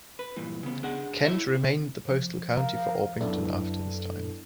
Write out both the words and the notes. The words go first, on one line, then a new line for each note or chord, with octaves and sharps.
Kent remained the postal county for Orpington after this time.
B4
G2 A#2 E3
C#3 B3
D4 G#4 F#5
E4 C#5 E5
C3
F3
A#4 F5 A#5
F#2 B3 D4 E4 A4